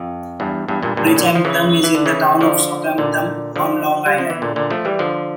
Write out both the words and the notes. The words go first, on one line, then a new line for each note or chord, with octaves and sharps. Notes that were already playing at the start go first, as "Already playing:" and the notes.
Bridgehampton is in the town of Southampton, on Long Island.
Already playing: F2
E2 G2
E2 G2
G2 A#2
G2 A#2
A2 C#3
A#2 D3
E3
F3
C#3 E3
E3
D3
C#3 E3
D3 F3
A#2 D3
D3 F3
G3
F3
E3
A#2 D3
A#2 D3
F3 A3
E3 G3
D3 F3